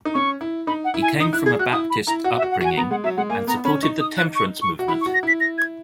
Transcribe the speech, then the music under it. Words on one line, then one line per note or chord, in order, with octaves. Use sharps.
He came from a Baptist upbringing, and supported the temperance movement.
D#4
C#4 C#6
E4
D#4 B5
F#5
E4
G#5
D#4 D#6
E4 F#6
G#4 G#6
F#4 F#6
E4 D#6
B5
E4 A#5
F#4 F#5
E5
F#4
F#5
F#4 G#5
B3 A#5
G#3 F#5
F#3 E5
G#3 F#5
A#3 G#5
B3 A#5
C#4 B5
D#4 C#6
D#6
F#6
C#6
C#6
F#4
E4 B5
C#6
F#4
A#6
E4 B6
A#6
G#6